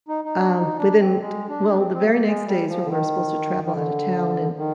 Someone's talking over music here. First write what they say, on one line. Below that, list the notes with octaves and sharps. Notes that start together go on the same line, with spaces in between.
uh, within t well, the very next day is when we were supposed to travel out of town, and
D#4
D#4
D4
D#4
D4
C4
G#3
D4
D4
C4
C4
A#3
G#3
G3
F3
D3
D#3
D#3
D3
D#3